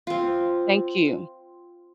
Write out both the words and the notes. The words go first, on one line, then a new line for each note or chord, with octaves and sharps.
Thank you.
C4 F4